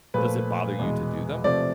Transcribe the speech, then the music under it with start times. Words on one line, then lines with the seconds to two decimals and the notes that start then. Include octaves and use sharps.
does it bother you to do them?
0.14 A#2 F3 A3 B4
0.79 E2 B2 G#3
1.44 C3 F3 A3 D5